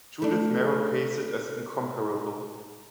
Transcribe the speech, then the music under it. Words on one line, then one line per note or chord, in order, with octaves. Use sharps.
Judith Merril praised it as "incomparable".
A3 D4